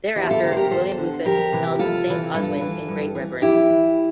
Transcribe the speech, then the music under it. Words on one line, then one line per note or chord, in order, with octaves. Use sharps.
Thereafter, William Rufus held Saint Oswin in great reverence.
E2 E4 G4
F4 A4
D3 G4 A#4
C5
G4 A#4
E2 A4 C5
D3
F2 G4 A#4
C3 E3
F2 F4 A4
C3 E3
G2 F4 A4
E3
G2
E3
F2 E4 G4
E3